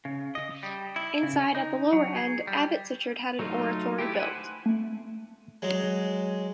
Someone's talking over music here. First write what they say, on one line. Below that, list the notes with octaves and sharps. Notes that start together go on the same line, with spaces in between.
Inside, at the lower end, Abbot Sichard had an oratory built.
C#3
D#5
G3
E4
C#3
D#4
F#3
G#4
G3
F#3 A3 D#4 F4
A3 E4 G4
B4 C5 F#5 G#5
A3
F#3 G#3